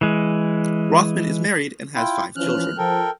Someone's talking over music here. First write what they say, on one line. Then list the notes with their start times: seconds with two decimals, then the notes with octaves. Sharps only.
Rothman is married and has five children.
0.01 E3 G#3
1.95 E4 F4 G5
2.36 E3 F3 C#4 F6 F#6
2.78 F3 A4 A#4 G5